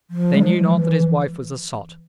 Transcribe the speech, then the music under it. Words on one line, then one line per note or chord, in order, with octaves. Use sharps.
They knew not that his wife was a sot.
F3
G#3
F3
E3